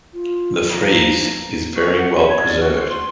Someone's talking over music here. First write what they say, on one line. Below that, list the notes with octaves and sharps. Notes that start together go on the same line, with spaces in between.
The frieze is very well preserved.
F4
F3 A#5
C#6
F#5
B5
C#5
D5
F#4
C5
C6